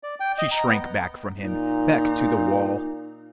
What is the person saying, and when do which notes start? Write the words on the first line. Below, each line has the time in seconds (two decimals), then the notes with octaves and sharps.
She shrank back from him, back to the wall.
0.03 D5
0.20 G5
0.38 D#5
0.52 A#5
0.66 B3
1.40 A#2 D#4